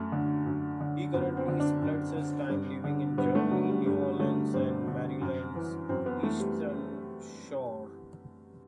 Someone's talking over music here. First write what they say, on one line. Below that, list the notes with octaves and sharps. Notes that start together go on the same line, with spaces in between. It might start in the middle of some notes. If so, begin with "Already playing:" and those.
He currently splits his time living in Germany, New Orleans, and Maryland's Eastern Shore.
Already playing: F#2 A3
D3
F#2
D3
F#2 B3
C4
D3
D4
F#2
D3
G2
D3
G2 B3
A3
D3 F#3
G3
G2 G3
D3 A3
G2 C4
D3
F#2
E3
F#2 C4
B3
E3 A3
G3